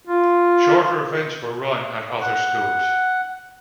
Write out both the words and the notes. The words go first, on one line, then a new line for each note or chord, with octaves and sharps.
Shorter events were run at other schools.
F4
F#5